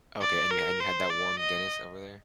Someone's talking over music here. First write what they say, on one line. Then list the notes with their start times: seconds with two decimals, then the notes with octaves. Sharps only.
Okay, and you and you had that warm Guinness over there?
0.21 D5
0.51 A#4
0.80 C5
1.10 D5
1.40 D#5